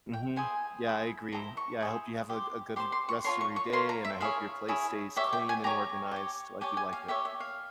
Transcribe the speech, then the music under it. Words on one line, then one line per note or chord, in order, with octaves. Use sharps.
Mhm. Yeah, I agree. Yeah, I hope you have a g a good v rest of your day, and I hope your place stays clean and organized like you like it.
G5
E4 G#4 C5 G#5
E4 G#4 C5
E4 G#4 C5 A#5
C#6
E4 G#4 C5
G4 C5
G4 C5 C6
C6
C#6
F4 A#4 C#5 C6
C#6
C#6
F4 A#4 C#5 C6
A#5
E5
E4 G#4 C#5 F5
E4 G#4 C#5
G4 C#5 E5
G5
G#5
G4 C#5 A#5
G4 C#5
G4 C#5 G#5
G#5
F5
G4 C#5 E5
E5
F5